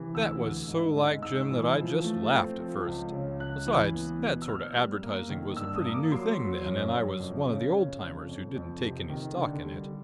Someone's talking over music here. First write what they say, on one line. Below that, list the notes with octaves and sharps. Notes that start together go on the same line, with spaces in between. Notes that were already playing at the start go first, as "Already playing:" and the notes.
That was so like Jim that I just laughed at first; besides, that sort of advertising was a pretty new thing then, and I was one of the old-timers who didn't take any stock in it.
Already playing: C3 E3
D2 E6
D2
G#2
G#3
G#2 E6
E3
F3
A3
C4
F3
C#2
C#3
C#2 F#6
E3
B3
B2
E6
B3 F6
G3
A#3
D#3
G2 E6
D#6
A#3
D6
F#3 C6
F#3
F#2
F#2
F2
C#3
C#3
F2
F2
F2
C3
D#3
D3
G3